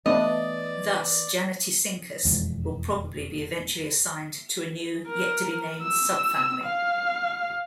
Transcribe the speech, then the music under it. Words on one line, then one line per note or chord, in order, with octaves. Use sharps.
Thus, "Janetaescincus" will probably be eventually assigned to a new, yet-to-be-named subfamily.
E3 A3 B3 D4 D5 D#5
E1 F2 E3 G#3
A#4
E6
F5